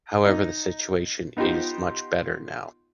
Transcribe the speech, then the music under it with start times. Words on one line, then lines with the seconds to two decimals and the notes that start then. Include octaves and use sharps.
However the situation is much better now.
0.25 D#4
1.37 B3 D#4 F4 G4 C5